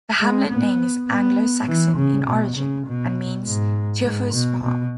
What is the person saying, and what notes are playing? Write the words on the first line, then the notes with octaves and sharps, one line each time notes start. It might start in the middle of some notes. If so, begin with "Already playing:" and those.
The hamlet name is Anglo Saxon in origin, and means 'Teofer's farm'.
G#3
B3
B3
E3
C#3
B2
C#3
B2
G#2
G#2
B2
B2